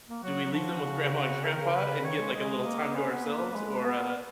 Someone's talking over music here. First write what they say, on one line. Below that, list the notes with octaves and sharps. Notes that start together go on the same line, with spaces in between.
do we leave them with grandma and grandpa and get, like, a little time to ourselves? Or, uh,
A#3
F#3 F#4
F#3
F3 F#4
C#3
F#4
C#3 A#4
D#3
C#3
C#3 B4
D#3 C#5
G#3
G#3 D#5
A#3
C#4 B4
B3
A#3
A#3
G#3
B3